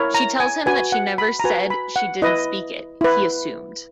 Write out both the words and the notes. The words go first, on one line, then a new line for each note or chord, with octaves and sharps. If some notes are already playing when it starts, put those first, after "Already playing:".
She tells him that she never said she didn't speak it, he assumed.
Already playing: E4 A#4 C#5
A#5
G#5
F#4 B4 G#5
F#5
B5
A#5
F#4 B4 G#5
B5
F#5
E4 B4 D#5
E4 B4